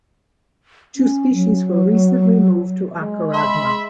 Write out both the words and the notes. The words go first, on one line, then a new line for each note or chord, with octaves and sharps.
Two species were recently moved to "Acharagma".
C#4
F#3
G#3
E5 B5 C6